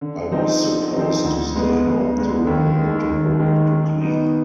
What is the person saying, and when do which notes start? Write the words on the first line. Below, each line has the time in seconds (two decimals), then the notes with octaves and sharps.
I was supposed to stay home to learn how to cook, to clean.
0.01 D3
0.31 F3 C4 D#4
0.62 D3
0.93 F3 C4 D#4
1.24 D2
1.54 D3 G#3 B3
1.86 D2
2.17 D3 G#3 B3
2.47 D#2
2.78 D#3 G#3
3.09 D#2
3.39 D#3 G#3
3.70 D#3
4.01 B3 D#4